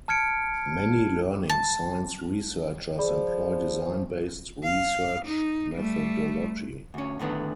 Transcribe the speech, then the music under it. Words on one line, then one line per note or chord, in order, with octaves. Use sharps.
Many learning science researchers employ design-based research methodology.
A5 F6 G#6 C#7 D7
A5
F3 G#4 D5 B5
F5
D#4
G3 A3
D2 C#4
A2 D3 D#3 B3